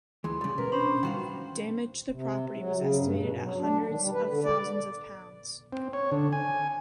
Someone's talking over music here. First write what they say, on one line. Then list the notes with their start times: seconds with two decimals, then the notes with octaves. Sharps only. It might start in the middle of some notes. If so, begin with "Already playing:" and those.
Damage to property was estimated at hundreds of thousands of pounds.
0.24 D2 E3 G#3 C6
0.41 C#3 G3
0.58 B2 A#4 B4
0.72 C#4 D4 C5 B5
1.03 D#3 G3 F#4 F5
2.11 C3
2.56 F#3
2.76 C#3
2.97 G2
3.15 B2
3.39 F#3
3.57 D4
3.86 D#3
3.99 G3
4.12 B4
4.26 D3
4.44 D5
5.72 C4
5.93 C#5
6.12 D3
6.33 G#5